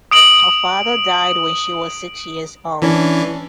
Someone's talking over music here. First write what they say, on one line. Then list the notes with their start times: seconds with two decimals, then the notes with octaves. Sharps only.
Her father died when she was six years old.
0.11 D#6 D7 F#7
2.82 E3 C#4 D4